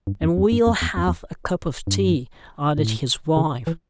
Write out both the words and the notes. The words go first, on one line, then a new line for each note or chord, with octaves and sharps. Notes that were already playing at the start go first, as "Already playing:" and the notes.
"And we'll have a cup of tea," added his wife.
G2
F2
F2
G2
F2
E2
F2
E2
G2
A2
C#3
E3